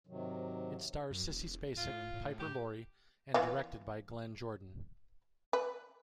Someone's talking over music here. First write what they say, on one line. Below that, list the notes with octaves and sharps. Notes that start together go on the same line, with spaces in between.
It stars Sissy Spacek, Piper Laurie and directed by Glenn Jordan.
G#2 C3 D#3 F#3
F#2
E1
A2 F4
A2
G4
E3 B3 F4
B4